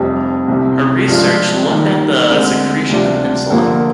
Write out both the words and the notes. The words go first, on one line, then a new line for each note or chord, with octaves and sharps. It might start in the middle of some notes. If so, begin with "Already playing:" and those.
Her research looked at the secretion of insulin.
Already playing: F1 F2 C3 G3
C2 C3 G3
G2 F3 G#3 D4 F4
D#2 D#3 G3
D2 D3 G#3 C4
D2 C3 G3 D4 F4
G2 D3 F3 A#3